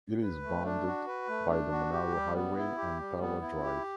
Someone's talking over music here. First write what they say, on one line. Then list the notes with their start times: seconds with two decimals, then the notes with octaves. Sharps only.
It is bounded by the Monaro Highway and Tharwa drive.
0.22 B4
0.43 A3
0.64 D4
0.86 F#4
1.07 B4
1.28 A3
1.49 D4
1.71 F#4
1.92 G4
2.14 G3
2.35 B3
2.57 E4
2.77 G4
2.99 G3
3.21 B3
3.41 E4
3.63 G4